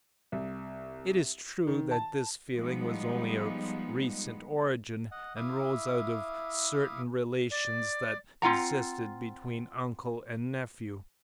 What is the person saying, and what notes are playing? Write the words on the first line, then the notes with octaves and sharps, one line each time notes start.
It is true that this feeling was only of recent origin; and rose out of certain relations that existed between uncle and nephew.
C2
D#3
A5
F3 G3 G#3 B3 D#4
D#5 F#5
E4 E5 F5 D6 D#6
D5
C4 F4 F#5 A#5